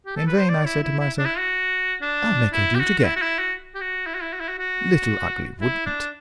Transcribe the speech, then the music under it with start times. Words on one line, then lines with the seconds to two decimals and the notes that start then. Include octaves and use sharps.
In vain I said to myself, "I'll make her do it again!" Little Ugly would'nt!
0.06 G4
0.16 A4
0.27 B4
0.38 C5
0.49 D5
0.65 E4
0.83 E4
0.99 E4
1.18 D4
1.25 E4
1.38 F#4
2.02 D4
2.53 E4
2.75 G4
2.79 F#4
2.98 F#4
3.04 E4
3.16 F#4
3.22 E4
3.39 F#4
3.75 G4
3.81 F#4
4.06 E4
4.15 F#4
4.22 E4
4.33 F#4
4.40 E4
4.48 F#4
4.58 F#4
5.61 E4
5.86 D4